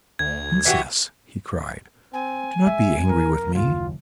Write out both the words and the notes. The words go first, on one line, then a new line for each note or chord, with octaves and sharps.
Princess," he cried, "do not be angry with me.
D2 G#6
E3 F#4 G4
C4 G#5
G#3 E5
F2 A#4
F#1 D#2 F4